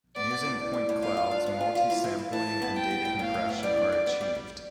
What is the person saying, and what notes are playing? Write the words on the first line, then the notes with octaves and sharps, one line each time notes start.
Using point clouds multi-sampling and data compression are achieved.
B3 D5
B3
A2
G3
G3
A2
F4 F5
F4
D4
B3 F5
F4
F4
E3
E3
E3
E3 A5
E3
B3
B3 G5
B3
A2
A2 F5
A2
B3
G3 D5
D4
G3
B3
G3
G3